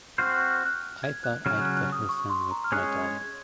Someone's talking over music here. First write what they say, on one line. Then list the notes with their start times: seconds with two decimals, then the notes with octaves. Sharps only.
I thought I'd get her some with my dollar.
0.18 C4 F#4 C5 F6
0.33 F6
0.50 F6
0.65 F#6
1.03 G#6
1.24 F#6
1.45 C#3 F#3 C#4 F6
1.61 F#6
1.76 F#6
1.92 D#6
2.09 C#6
2.30 C6
2.51 A#5
2.64 F6
2.72 G#3 C#4 G#4 C#5 F#6
3.04 G#6
3.21 G#6